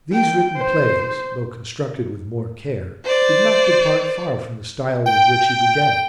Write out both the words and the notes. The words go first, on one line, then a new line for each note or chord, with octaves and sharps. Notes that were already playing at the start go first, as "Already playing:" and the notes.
These written plays, though constructed with more care, did not depart far from the style with which he began.
G5
C5
C5 D5
G5